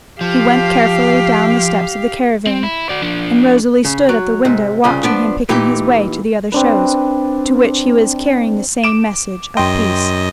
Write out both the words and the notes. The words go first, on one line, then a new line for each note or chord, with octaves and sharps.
He went carefully down the steps of the caravan, and Rosalie stood at the window, watching him picking his way to the other shows, to which he was carrying the same message of peace.
F3 G4 F5
C4
E4
F#4 D5
F3 D4
C#3
F#3
G#2 C3
C2 C#3 F4
F3 B3 D4
A#2 E3 D#4 G4
C4 D4 B4
D6 D7 E7
F#2 D#5 G5 C6